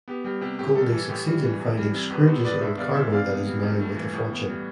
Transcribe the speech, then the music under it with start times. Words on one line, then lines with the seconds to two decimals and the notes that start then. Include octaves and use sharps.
Goldie succeeds in finding Scrooge's old cargo that is now worth a fortune.
0.08 B3 G4
0.24 G3 G4
0.41 C3 G4
0.58 A2 G4
0.75 G3 A4
0.92 E3 A4
1.09 A2 G4
1.26 G3
1.44 E3
1.60 F2
1.77 G3
1.94 C3
2.10 E2 G4 B4
2.27 B3 A4 C5
2.45 B2 B4 D5
2.61 G2 C5 E5
2.78 B3 D5 F5
2.95 E3 C5 E5
3.12 C3 D5 F5
3.30 B3
3.47 G3
3.63 F2
3.79 A3
3.97 E3
4.13 A2
4.31 B3
4.48 G3